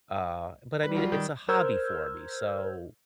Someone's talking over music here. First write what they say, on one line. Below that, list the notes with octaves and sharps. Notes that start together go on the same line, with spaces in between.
uh, but, I mean, it's a hobby for me, so
G3 B4
F3 F#3 F4
D#3
A#4 C5 E6 F6 G6 G#6